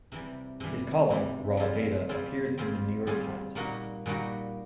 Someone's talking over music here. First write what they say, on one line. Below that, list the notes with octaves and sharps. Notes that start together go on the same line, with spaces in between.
His column, "Raw Data," appears in "The New York Times".
C3 E3 G3
C3 E3 G3
C3 E3 G3
G3 C4 F4 G#4
G3 C4 F4 G#4
G3 C4 F4 G#4
G3 C4 F4 G#4
A#2 G3 A#3 D#4 F#4
A#2 G3 A#3 D#4 F#4